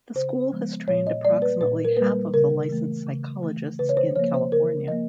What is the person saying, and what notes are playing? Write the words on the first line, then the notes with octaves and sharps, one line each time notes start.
The school has trained approximately half of the licensed psychologists in California.
C#3 C5
F3 G#3 B3
A#2 C#5
D#5
G3 A#3 D5
B4
A#2 B4
A#4
G3 A#3 B4
C#3 A#4
E3 A3
C#3
E3 A3
C#3 B4
C#5
C5
F3 A#3 C#5
C5
C#3 A#4
F3 A#3 D#5